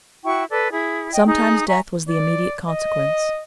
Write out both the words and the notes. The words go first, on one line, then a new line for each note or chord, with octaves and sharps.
Sometimes death was the immediate consequence.
E4 F#4 G5 C#6
A4 B4 D5
E4 G#4
D#5 G5
D#4 G#4
E5 G#5 A#5 C#6
D5
D#5